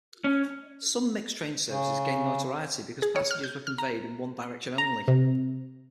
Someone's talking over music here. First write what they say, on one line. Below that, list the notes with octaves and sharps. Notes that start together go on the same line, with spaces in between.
Some mixed train services gained notoriety because passengers were conveyed in one direction only.
C#4
C#3
G#4
C#5
F6
G6
F6
A#5
A#5
C3